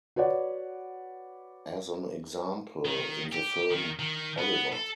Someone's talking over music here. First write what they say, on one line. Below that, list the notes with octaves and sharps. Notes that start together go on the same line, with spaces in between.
As an example, in the film Oliver!
F#4 B4 C#5 D5 F#5
D#3
G4
D#3
D#3
B3
A4